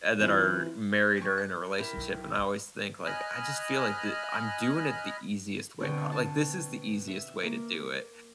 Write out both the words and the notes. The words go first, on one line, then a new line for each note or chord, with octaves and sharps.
and then are married or in a relationship, and I always think, like I just feel like the I'm doing it the easiest way po like, this is the easiest way to do it,
E3 C4 E4 F4
G4 C#6
F#6
E4 G4 A#4
B1
D#5 G#5 B5 F6 F#6
B2 D3 C4 G5
A5
E5
A#3